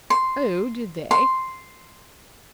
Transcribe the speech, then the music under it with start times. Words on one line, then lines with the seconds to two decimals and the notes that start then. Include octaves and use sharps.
'Oh! did they?
0.10 C6
1.11 C6